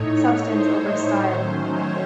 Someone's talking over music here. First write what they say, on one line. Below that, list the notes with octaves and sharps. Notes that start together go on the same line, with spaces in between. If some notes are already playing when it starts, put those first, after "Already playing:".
Substance over style.
Already playing: A2 A3 D#4 C#5
C5
D#3 F#3 A3 C#4
C#5